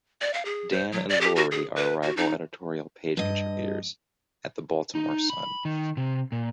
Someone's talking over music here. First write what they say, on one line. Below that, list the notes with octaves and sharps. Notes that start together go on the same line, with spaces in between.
Dan and Lorie are rival editorial page contributors at the "Baltimore Sun".
D5
F5
G#4
C5
F#3
D5
G4
F#4
G#4
B4
F#4
D#4
G2 D#5
D#4
B5
D#3
C3
A#2